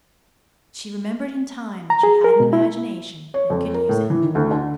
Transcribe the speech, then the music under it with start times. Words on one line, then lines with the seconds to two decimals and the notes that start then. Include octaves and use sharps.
But she remembered in time that she had an imagination and could use it.
1.90 A#5
2.03 G#4
2.24 A#4
2.40 B2
2.53 E4
3.34 C#5
3.50 F2
3.74 A#4
3.89 A2
4.10 E3
4.23 D#3
4.35 D2
4.51 D3